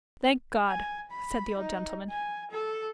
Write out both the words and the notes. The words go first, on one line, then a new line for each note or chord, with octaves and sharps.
'Thank God!' said the old gentleman.
G#5
B5
D#4
G#5
A4